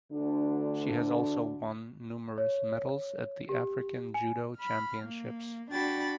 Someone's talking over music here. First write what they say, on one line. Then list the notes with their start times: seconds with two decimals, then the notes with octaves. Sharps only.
She has also won numerous medals at the African Judo Championships.
0.12 D2 D3 D4
2.38 C#5
3.49 G4
4.14 G#5
4.57 B5 F6
5.04 A#3
5.72 D4 F#4 G5 B5 A6